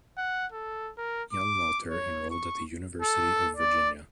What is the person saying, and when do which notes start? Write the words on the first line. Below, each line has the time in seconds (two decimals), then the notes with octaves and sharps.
Young Walter enrolled at the University of Virginia.
0.17 F#5
0.52 A4
0.97 A#4
1.33 D6
1.89 C#5
2.31 C#6
3.01 A4
3.57 D5